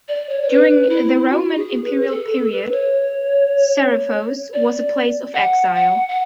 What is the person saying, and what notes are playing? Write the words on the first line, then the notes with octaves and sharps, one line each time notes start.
During the Roman imperial period, Serifos was a place of exile.
D5
C#5
C#5
B4
E4
F#4
G#4
B4
G#4
A4
A4
B4
C#5
D5
F#5
F#5
F#5